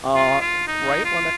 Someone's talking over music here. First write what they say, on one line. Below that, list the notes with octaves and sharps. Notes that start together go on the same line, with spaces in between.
uh, er, right, when I
F4
F4
D#4
F4